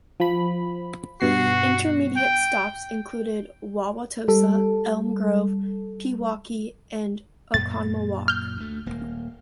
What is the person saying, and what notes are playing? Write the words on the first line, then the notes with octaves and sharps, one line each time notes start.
Intermediate stops included Wauwatosa, Elm Grove, Pewaukee, and Oconomowoc.
F3 B5
G2 B2 F#4 C7
G5
G3 A4
F#2 A#2 A6
F6 G6
D2 A3
D#1 A#3